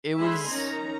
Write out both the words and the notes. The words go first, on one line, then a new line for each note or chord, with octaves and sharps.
It was
D3 G#3 E5 G#5 B5 C6
D#3 C#4 D#4 A#5